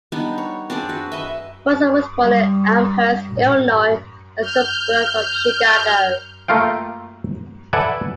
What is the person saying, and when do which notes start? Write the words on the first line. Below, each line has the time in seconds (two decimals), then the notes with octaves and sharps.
Russell was born in Elmhurst, Illinois, a suburb of Chicago.
0.12 G3 B3 D4 D#4
0.38 C#5
0.70 C4 D4 G#4 D5
0.89 F#4 B4
1.12 B4 D#5 E5
2.19 G3
3.28 A1
4.41 F6 G6
6.48 A3 A#3 F4 F5 G5
7.73 A4 B4 D5 E5 F#5 G#5